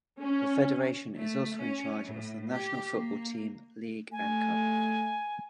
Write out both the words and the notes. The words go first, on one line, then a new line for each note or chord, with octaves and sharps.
The Federation is also in charge of the National Football Team, League and Cup.
C#4
A3
C#4
A2
G4
A#3
A3 G#5